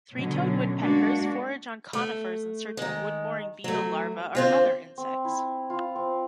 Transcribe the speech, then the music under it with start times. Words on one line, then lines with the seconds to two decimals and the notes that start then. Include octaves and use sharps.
Three-toed woodpeckers forage on conifers in search of wood-boring beetle larvae or other insects.
0.16 B2 D3 F#3 C#4
0.78 G#3 A#3 D4 F#4
1.93 A3
2.77 D#3 G#3
3.64 F#3 A3
4.35 D3 C4 F4
4.98 C4
5.25 E4
5.70 F4
5.96 C4